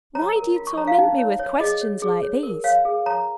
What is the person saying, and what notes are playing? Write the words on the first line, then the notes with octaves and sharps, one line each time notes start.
Why do you torment me with questions like these?
C#5 A#5
A#4
F4
C#6
C#5 A#5
F5
D#4
C#5
C#5
G#4 D#5
C#5
G#4
C#5
A#4
C#5 F5
G#4
C#5 A#5